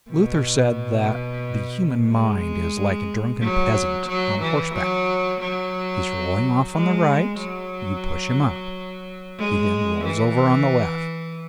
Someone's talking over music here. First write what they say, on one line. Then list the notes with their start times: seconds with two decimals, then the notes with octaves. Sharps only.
Luther said that the human mind is like a drunken peasant on horseback: he is rolling off on the right, you push him up, he then rolls over on the left.
0.10 B2
2.09 G#3
3.42 F#3
4.08 F#3
4.41 E3
4.74 F#3
5.41 F#3
6.74 G#3
7.39 F#3
9.39 G#3
10.04 E3